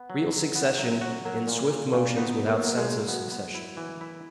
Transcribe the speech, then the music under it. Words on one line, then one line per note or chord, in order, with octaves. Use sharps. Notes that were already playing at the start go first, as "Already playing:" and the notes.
Real succession in swift motions without sense of succession.
Already playing: B3
F#3
F#3
B3
F#3
F#4
F#3 A#3
A#2
A#2
A#2
B3 D#4
F#3
A#3
F#3
G#3
A#2
F#3 B3
B3
E4
E3
E4